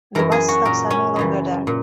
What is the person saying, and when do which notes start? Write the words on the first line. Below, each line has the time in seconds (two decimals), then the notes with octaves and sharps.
The bus stops are no longer there.
0.15 F#2 E3 A#4
0.32 G#4
0.48 F#4
0.65 A#2 A#4
0.91 C#4
1.16 F#2 C#3 E3
1.67 A#2